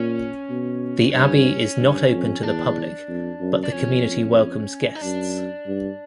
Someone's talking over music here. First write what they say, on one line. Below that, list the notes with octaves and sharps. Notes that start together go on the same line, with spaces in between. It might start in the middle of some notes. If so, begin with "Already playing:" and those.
The Abbey is not open to the public, but the community welcomes guests.
Already playing: A#2 C#4
B2
G2 C#4
G2
F2
E2 D4
F2
F#2
D4
F2 C#4
D#4
F#2 D4
G2